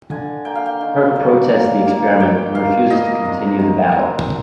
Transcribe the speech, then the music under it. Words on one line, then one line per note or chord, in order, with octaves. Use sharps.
Kirk protests the experiment and refuses to continue the battle.
D3 G#5
A#3 G5
F5
G5
D#3
G3
A#2
A#3
D#3 G5
D#3 F5
G3 D#5
C3
D#3
C4